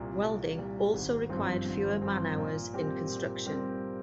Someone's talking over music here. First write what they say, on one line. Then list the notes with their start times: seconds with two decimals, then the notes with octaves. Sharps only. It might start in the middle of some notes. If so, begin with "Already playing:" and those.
Welding also required fewer man-hours in construction.
Already playing: C2 A#2 G3
0.22 C2
0.58 A#2 G3
0.94 G#1
1.29 G2 F3 C4
1.66 G#1
2.01 G2 F3 C4
2.38 A#2
2.73 G3 C4 G4 A#4
3.09 A#2
3.46 G3 C4 G4 A#4